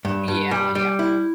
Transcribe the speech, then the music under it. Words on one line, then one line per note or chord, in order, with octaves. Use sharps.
Yeah, yeah.
G2
G2
G3
G3
E4